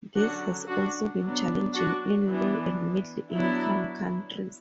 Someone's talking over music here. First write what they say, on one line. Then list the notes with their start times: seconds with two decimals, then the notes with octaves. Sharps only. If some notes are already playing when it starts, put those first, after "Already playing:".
This has also been challenging in low and middle income countries.
0.15 D3 F#3 C#4 D4 F#4
0.68 D4 F#4
1.21 F#3 B3 D4
1.74 D4 F#4
2.27 E3 B3 D4
3.32 F#3 B3 D4 E4